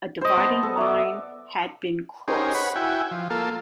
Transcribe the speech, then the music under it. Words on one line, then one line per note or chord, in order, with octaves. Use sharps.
A dividing line had been crossed.
C5 D#5
B3 A5
A4
D5 E5
C#4 D#4 G4 G#4 A#4 C5
B4 C#5 F#5 B5
E4 F#4 G5 G#5
F3
A#3 F4 A4